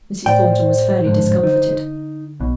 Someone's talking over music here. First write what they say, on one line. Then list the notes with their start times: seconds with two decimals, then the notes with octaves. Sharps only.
Mrs. Thornton was fairly discomfited.
0.26 A2 C5 D5 G5
1.04 F2 G#2 D3
1.43 D3 D#4
2.40 B1 B2